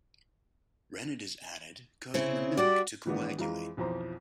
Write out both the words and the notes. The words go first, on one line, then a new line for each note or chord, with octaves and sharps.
Rennet is added, causing the milk to coagulate.
C#3 C4 E4
G3 F#4 G4 D5
G#2 D#3 E3 G#3 B3 D4
F2 E3 G#3 F5 A#5
B1 F2 E3 F3 C5 A#5